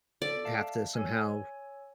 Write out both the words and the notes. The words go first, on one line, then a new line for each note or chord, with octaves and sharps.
have to somehow
B3 A4 D5
E5 F5 A5
C#5 G#5 E6